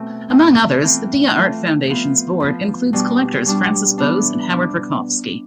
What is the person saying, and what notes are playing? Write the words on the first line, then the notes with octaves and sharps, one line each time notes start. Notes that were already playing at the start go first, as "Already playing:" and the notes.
Among others, the Dia Art Foundation's board includes collectors Frances Bowes and Howard Rachofsky.
Already playing: B2 A3 C4
B2 A3 C4
E3 A3 C4 F4
E3 A3 C4 F4
F3 B3 F4
F3 B3 F4
B2 G3 D4
B2 G3 D4
E3 B3 D4
B3 D4